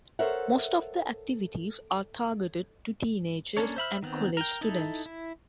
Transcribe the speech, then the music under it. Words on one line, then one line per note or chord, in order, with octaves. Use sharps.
Most of the activities are targeted to teenagers and college students.
A4 A#4 C5 C#5 E5 F#5
A#3 C#4 D4 A4 C#5
C5 E5 B5 F6
D#3 B3 C4
A#4 G5
D#4 E4 A4
E4